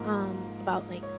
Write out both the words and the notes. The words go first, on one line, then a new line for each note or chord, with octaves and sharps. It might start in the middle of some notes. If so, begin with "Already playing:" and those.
um, about, like,
Already playing: G#2 F3 A#3 A#4
C#5